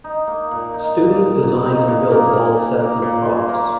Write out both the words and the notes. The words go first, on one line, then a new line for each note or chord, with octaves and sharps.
Students designed and built all sets and props.
D#4
A#3
A#2
D#4
A#2
A#2
A#2
D#4
A#2
A#3
A#3
A#2
A#3
A#2
A#2
A#3